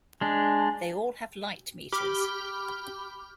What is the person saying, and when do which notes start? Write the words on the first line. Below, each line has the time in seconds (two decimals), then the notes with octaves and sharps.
They all have light meters.
0.21 G#3 D4
1.92 G4 B5 D6 F6 G7